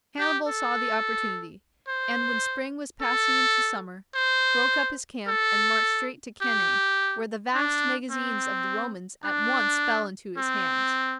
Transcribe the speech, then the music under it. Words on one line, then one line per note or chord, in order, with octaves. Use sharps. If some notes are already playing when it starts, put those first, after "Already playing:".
Hannibal saw the opportunity, and when spring was passing into summer broke up his camp and marched straight to Cannae, where the vast magazines of the Romans at once fell into his hands.
G4
A4
C5
A4
C5
A4
G4
D4
C4
D4
C4